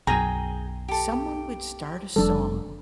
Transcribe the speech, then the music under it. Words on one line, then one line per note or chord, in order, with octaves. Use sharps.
someone would start a song.
B1 F#2 G#4 G5 G#5 A#5
G4 A4
F1 F3 G3 D4 A4